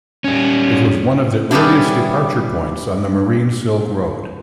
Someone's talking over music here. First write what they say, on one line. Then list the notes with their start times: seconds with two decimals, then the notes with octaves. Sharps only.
It was one of the earliest departure points on the Marine Silk Road.
0.24 G3 C#4
1.51 G3 B3 C#4 D4 E4